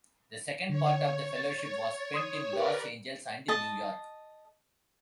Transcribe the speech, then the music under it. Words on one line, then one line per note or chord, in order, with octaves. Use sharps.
The second part of the Fellowship was spent in Los Angeles and New York.
D3 C#5
A6
C6 D#6 G#6
G4 A#4 B4 D5
D#5 A5